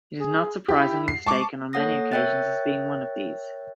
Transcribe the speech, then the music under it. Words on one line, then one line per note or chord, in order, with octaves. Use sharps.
It is not surprisingly mistaken on many occasions as being one of these.
G#4
E4 G4
C7
G#3 A5 C#6 D6
A#3 A4 C#5 F#5 D#6 A#6
A#4 C#5 E5 G5 F#6 A6